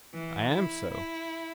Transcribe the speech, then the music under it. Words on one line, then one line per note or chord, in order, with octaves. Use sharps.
I am so.
E3
E4
E4